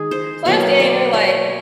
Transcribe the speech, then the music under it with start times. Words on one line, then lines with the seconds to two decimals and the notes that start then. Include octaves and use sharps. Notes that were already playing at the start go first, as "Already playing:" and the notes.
So I was standing there like,
Already playing: D#3 G#3 G#4
0.11 C5
0.45 B2 F#3 A#3 C#5
0.80 D5
1.14 C#5